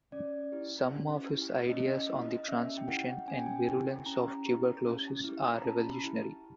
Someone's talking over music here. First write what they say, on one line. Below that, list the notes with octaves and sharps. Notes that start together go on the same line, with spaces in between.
Some of his ideas on the transmission and virulence of tuberculosis are revolutionary.
C#4 D5
E4 G4
C#4
E4 G4
C#4 D#5
D#5
E4 G4 D#5
D#5
C#4 E5
G5
E4 G4 F#5
C#4 G#5
G5
G#5
E4 G4
C#4 A#5
E4 G4
C#4
E4 G4
B5
A#5
C#4 A5
E4 G4